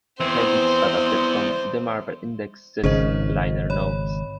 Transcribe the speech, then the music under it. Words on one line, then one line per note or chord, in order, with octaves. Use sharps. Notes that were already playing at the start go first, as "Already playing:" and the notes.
Credits adapted from "The Marble Index"'s liner notes.
E2 C4 C5
G#1 C#3 G#4 C5 D#5
C#5 B5